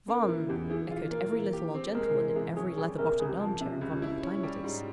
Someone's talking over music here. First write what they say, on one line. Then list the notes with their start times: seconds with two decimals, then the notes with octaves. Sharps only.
"Von!" echoed every little old gentleman in every leather-bottomed arm-chair in Vondervotteimittiss.
0.08 A#3 C#4
0.28 E3 E4
0.49 E2 G4
0.70 E3 G#4
0.91 F4
1.11 A#3 A#4
1.32 E3
1.53 G4
1.74 C4
1.95 G#3 A#4
2.15 E3
2.36 C3 G#4
2.57 C#4 G#4
2.77 G3 G#4
2.98 C3 A#4
3.19 C#2 G#4
3.29 G4
3.39 F3 F4
3.60 C3 C#4
3.81 C#2
4.02 E4
4.23 C#4
4.43 G3
4.64 G#2